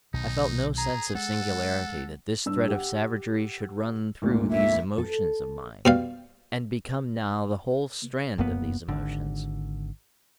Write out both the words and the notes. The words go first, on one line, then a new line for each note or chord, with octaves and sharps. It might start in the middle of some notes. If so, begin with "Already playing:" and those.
I felt no sense of singularity that this thread of savagery should run through these emotions of mine and become now the whole strand of these emotions.
B1 B2 D#3 D#4
G#4 A#5
G#3 A4 F#5
G2 D4 E6
G4 F#5
G#1 D2 A#2
E5
A4
B2 G3 F5
F1 F#2 A#3 B3
G#1 D3